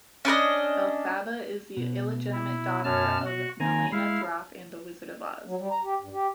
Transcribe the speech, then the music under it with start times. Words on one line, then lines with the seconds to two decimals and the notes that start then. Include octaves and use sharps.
Elphaba is the illegitimate daughter of Melena Thropp and the Wizard of Oz.
0.25 C#4 D4 B4 D#5
1.77 B2
2.33 E4
2.84 F#2 A5 F6
3.26 F#4 F#5
3.60 D#3 A#3 C4 G#5 A#5
3.92 G#3 E4 F5
5.46 F#3
5.58 G3
5.71 A#5
5.84 G4
6.01 G2
6.13 G4